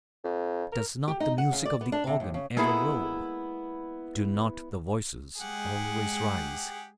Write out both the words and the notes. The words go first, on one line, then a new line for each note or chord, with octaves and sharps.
Does not the music of the organ ever roll, do not the voices always rise?
F2
A#4
G4
D#4
F#5
C#3
D5
B3
D4
C3
D#2
C#3
G#3 A#3 B3 E4 G#4 A4
G#3 G4 G#4 F#5